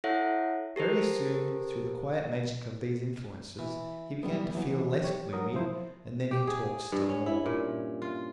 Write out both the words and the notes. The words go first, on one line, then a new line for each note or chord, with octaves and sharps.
Very soon, through the quiet magic of these influences, he began to feel less gloomy, and then he talked still more.
E4 A4 C#5 E5 F#5
G4 A4 A#4 C5
E3
B1 G3 B3
E3 F#3 B3
G4 C#5
F#3 A#4 D#6
F3 E4 C5
G4
G#4
G2
C#4
E4
A#2
F4